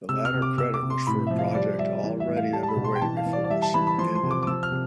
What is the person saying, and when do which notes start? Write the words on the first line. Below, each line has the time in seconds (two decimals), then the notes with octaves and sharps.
The latter credit was for a project already underway before the suit ended.
0.09 C3 E6
0.25 F6
0.34 C3
0.42 D6
0.58 C3 E6
0.74 D6
0.82 C3
0.90 C6
1.07 A2 B5
1.27 F3 E5
1.38 F5
1.55 G3 D5
1.79 G3 E5
2.04 E3
2.20 E5
2.28 A2
2.36 F5
2.52 G3 A5
2.63 A5
2.68 B5
2.76 B2
2.84 C6
2.95 G5
3.01 E3 A5
3.17 F5
3.26 E3
3.33 D5
3.44 D5
3.50 G3 E5
3.62 A5
3.74 E3 B5
3.87 B5
3.98 F3 C6
4.15 C6
4.23 C3
4.31 D6
4.43 D6
4.47 F3 E6
4.63 F6
4.71 C3